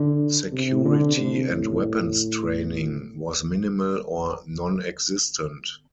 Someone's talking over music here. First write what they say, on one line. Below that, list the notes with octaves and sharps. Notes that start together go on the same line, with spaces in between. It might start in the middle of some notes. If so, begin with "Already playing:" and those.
Security and weapons training was minimal or nonexistent.
Already playing: D3
C3
D3
C3
A2